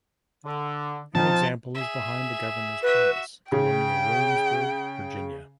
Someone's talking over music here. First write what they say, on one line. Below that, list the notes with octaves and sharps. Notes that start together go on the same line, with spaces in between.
An example is behind the Governor's Palace, Colonial Williamsburg, Virginia.
D3
F3 C4 D#4 F4 A5
G#4 E5
F#4 B4 E5
C#3 G5